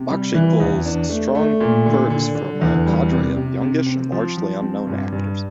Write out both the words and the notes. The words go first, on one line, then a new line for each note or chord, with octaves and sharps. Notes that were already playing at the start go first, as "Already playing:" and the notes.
Bakshi pulls strong perfs from a cadre of youngish and largely unknown actors.
Already playing: C3
G3
E3
E2
D4
A3
A3
A#2
D3
D3
D3
E2
G3
C3
C3
C3
C4
F3
F3
C4
G2
G2